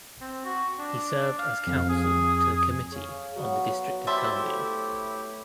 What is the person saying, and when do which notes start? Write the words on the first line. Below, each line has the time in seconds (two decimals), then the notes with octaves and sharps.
He served as counsel to the Committee on the District of Columbia.
0.21 C4
0.45 F#4
0.79 D4
1.39 F5
1.67 F2
1.89 G#4
2.92 G#4 C#5 F5
3.36 F#3 B3 F#4
4.07 E4 G4 C5 E5 A5
4.32 A3
4.77 C#5